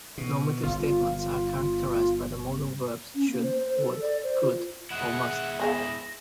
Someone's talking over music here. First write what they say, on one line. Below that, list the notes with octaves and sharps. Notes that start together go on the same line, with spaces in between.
Normative statements are characterised by the modal verbs "should", "would", "could" or "must".
B2
G1 F4
C#4
A#3
C5
C5
A4
D5
C5
F4
G#3 E4 F#5
B3 G#4 F5 A#6